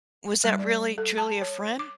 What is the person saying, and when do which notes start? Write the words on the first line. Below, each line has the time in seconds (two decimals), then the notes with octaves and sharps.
was that really truly a friend,
0.44 G3
0.59 D5
0.98 A4
1.18 A5
1.41 C#5
1.79 D6